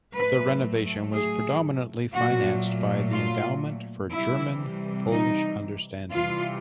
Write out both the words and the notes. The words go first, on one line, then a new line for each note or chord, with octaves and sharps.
The renovation was predominantly financed by the "Endowment for German-Polish Understanding".
A2 F#3 A3 B4
G#4
A#2 F#3 A3 F#4
F4
C3 E3 G3 E4
D#4
C3 E3 G3 F4